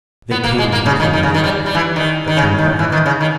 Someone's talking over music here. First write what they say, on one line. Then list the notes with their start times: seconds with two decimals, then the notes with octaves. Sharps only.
They came to the corner of the deck, but turned back.
0.31 B3
0.44 A#3
0.58 G#3
0.72 A#3
0.86 C#3
1.00 D#3
1.13 D#3
1.23 C#3
1.34 D#3
1.44 G3
1.66 G3
1.75 E3
1.96 D#3
2.28 D#3
2.37 C#3
2.58 D#3
2.79 E3
2.92 D#3
3.06 C#3
3.21 D#3